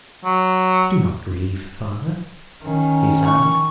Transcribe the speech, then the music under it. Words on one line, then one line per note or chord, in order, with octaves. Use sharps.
"Do not grieve, father," he sang.
F#3
D#3 C#4
C#6